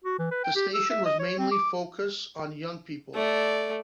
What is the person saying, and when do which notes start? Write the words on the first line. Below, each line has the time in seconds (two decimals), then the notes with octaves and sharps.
The station was mainly focus on young people.
0.04 F#4
0.19 E3
0.31 B4
0.44 G5
0.56 G4
0.74 E6
0.90 E5
1.05 D#5
1.19 C#5
1.39 C4
1.52 D6
3.14 A3 D5